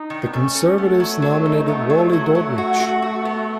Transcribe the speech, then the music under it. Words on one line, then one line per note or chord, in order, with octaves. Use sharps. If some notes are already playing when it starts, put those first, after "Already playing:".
The Conservatives nominated Wally Daudrich.
Already playing: D#4
D#3
B3
A3 C#4
A3
A3 B3
F#3
F#3
D#4
B3
F#3
F#3
F#3
F#4
F#4
F#4
B3